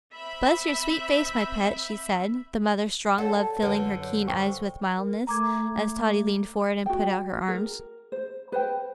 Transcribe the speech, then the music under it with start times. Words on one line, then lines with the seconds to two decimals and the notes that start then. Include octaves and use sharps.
"Bless your sweet face, my pet," she said, the mother's strong love filling her keen eyes with mildness, as Totty leaned forward and put out her arms.
0.14 C4 E5 B5
3.18 A4 C#5 D5 F#5
3.62 F#2 D3 B4 C#5 F#5
4.02 C#5
4.28 C5 G5 C#6
4.98 A#4
5.27 A3 A#5 D6 G#6
6.86 F#4 G5
7.48 A#4
8.12 C5
8.52 B4 C5 G5